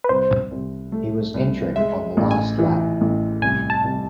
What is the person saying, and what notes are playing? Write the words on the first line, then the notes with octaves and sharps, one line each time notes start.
He was entering on the last lap.
B4
C2 C5
C2
A3
C2
G#3 E5
A1
G#5
E3
A1
C2 G#5
A5
C2